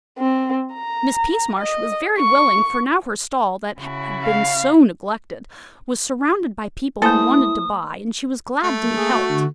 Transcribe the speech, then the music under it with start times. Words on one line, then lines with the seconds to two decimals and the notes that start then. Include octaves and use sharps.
Miss Peasmarsh was very willing, for now her stall, that had been SO neglected, was surrounded by people who wanted to buy, and she was glad to be helped.
0.19 C4
0.74 A#5
1.59 D#5
2.19 C#6
3.79 C#3 E4 F#4
4.24 F5
7.02 A3 A#3 E4 A4 B4 C5 D#6
8.63 A3
8.83 A#3
8.97 G#4
9.12 F#4
9.29 D3